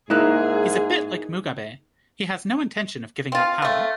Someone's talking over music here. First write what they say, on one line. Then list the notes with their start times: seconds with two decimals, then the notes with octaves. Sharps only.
He's a bit like Mugabe...He has no intention of giving up power.
0.10 G#2 A#3 D#4 E4 G#4 F#6
3.32 C4 F4 F5
3.62 A3 C4